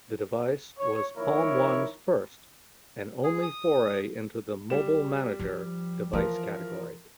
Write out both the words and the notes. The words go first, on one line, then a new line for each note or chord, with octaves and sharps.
The device was PalmOne's first and only foray into the "Mobile Manager" device category.
C#5
D#3 F3 A#3 E4 A#4 C#5
G#4
D#6
G3 E7
F3
E3 F3 A#4